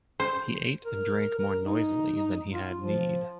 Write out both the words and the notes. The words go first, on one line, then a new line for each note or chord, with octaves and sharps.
He ate and drank more noisily than he had need.
C5
A#4
A#4
D#4
F4
F3